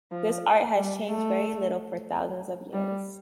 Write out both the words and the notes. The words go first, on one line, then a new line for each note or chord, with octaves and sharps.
This art has changed very little for thousands of years.
F3
G3
A3
G3